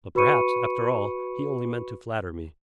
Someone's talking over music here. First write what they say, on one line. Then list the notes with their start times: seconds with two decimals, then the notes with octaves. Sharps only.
But perhaps, after all, he only meant to flatter me.
0.15 F#4 B4 B5 C#6 C#7 D#7